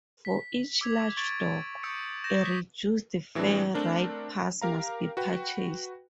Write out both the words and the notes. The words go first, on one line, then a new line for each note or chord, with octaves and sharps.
For each "large dog", a reduced fare ride-pass must be purchased.
B6
D6 E6 G#6 F7
C#6 G#6 A6 D7
C#6 D#6 E6 G6 C#7 D7
G6 A#6 E7
D#6 G6 B6 C#7
A2 E3 F#3 G#3 C4 D4
A3 C4 D4 A#4
G4 A#4 F5 A#5
F#4 B4 G5